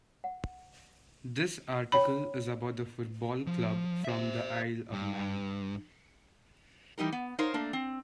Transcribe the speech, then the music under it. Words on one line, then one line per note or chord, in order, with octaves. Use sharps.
This article is about the football club from the Isle of Man.
F#5
D#4 C#5 G5 B5
F3
C5 E5
G2
E3 G3 D#4 G4 A#4
B3
D#4 A#4 C5 C#5 F5
A3 A#3 D4
C4